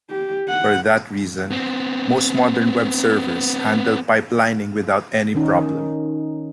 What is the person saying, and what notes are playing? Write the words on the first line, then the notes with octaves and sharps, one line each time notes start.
For that reason, most modern web servers handle pipelining without any problem.
G4
F#5
B3 C4
D#3 C#4 D#4